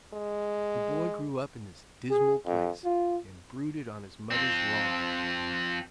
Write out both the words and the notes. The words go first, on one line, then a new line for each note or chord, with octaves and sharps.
The boy grew up in this dismal place and brooded on his mother's wrongs.
G#3
G#4
F2
F4
F2 C4